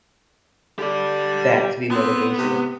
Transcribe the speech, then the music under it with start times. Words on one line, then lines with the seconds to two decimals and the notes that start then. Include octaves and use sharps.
that to be motivation.
0.79 D3 G4 D5
1.91 B3 C4
2.38 C3